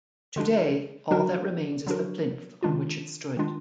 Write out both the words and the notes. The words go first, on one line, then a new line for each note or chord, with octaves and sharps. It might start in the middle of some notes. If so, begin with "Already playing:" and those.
Today, all that remains is the plinth on which it stood.
D3 G#3 D4
D3 F#3 D4 F#4 A#4
D3 F#3 D4 F#4 A#4
D#3 G#3 D4 F4
D#3 G#3 D4 F4